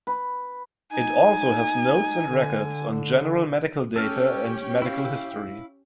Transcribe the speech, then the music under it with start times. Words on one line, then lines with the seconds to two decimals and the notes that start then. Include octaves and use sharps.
It also has notes and records on general medical data and medical history.
0.07 B4
0.93 D#4 G#5
2.28 D3
3.96 C#4 G4 A4 G5 F6
4.82 E4 F5